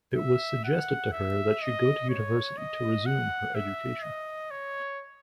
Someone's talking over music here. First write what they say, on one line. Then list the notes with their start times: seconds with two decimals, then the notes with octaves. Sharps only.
It was suggested to her that she go to university to resume her education.
0.16 E5
0.65 F#5
1.13 E5
1.62 D#5
2.10 C#5
2.58 D#5
3.06 F#5
3.55 E5
4.03 D#5
4.51 C#5